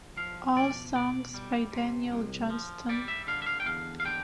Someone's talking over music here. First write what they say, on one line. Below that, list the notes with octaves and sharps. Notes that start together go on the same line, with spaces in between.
All songs by Daniel Johnston.
F3 F5
B2 D5
B2 D5
G3
C3
C2
F3
G3 D5
E5
D3 F5
E5
F5
G5
E2 F5
F5
D3 G5